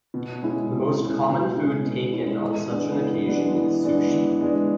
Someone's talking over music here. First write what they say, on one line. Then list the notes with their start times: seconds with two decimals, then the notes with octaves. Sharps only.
The most common food taken on such an occasion is sushi.
0.14 B2
0.42 G#3 C#4 E4
0.71 B2
0.99 G#3 C#4 E4
1.28 B2
1.56 G#3 C#4 E4
1.85 B2
2.13 G#3 C#4 E4
2.41 E3
2.70 G#3 B3 D4
2.98 E3
3.27 G#3 B3 D4
3.55 E3
3.83 G#3 B3 D4
4.12 E3
4.41 G#3 B3 D4